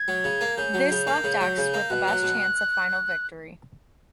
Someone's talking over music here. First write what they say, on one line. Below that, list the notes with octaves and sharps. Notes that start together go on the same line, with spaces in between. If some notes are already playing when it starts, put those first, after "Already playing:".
This left X with the best chance of final victory.
Already playing: G#6
F#3
C#3
A#3
C#3 G6
F#3
C#3
A#3
C#3
F#3
C#3
A#3
B2 F#6
F#3
B2